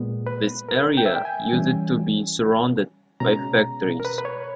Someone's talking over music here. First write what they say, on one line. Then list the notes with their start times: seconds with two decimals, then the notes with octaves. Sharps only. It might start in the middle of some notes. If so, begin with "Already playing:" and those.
This area used to be surrounded by factories.
Already playing: A#2 G#3 B3
0.27 B4
0.69 A#4
0.97 G5
1.06 E5
1.14 G5
1.25 G#5
1.52 E3 G3 C#4
3.20 B2 G#3 C#4 A#5
4.00 A#4
4.05 B4
4.18 B4
4.25 C#5